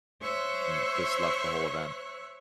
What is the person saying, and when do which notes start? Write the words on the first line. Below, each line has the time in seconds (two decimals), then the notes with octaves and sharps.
and just left the whole event.
0.21 C5 C#5 E5 C#6 F#6